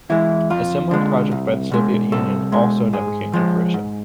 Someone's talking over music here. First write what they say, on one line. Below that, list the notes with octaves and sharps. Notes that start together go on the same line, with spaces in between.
A similar project by the Soviet Union also never came to fruition.
E3 G#3 E4
F2 F4
D3 G#3
C2
B2 G#3
C2 A4
B2 G#3
G#2 G#4
F3 G#3
G#2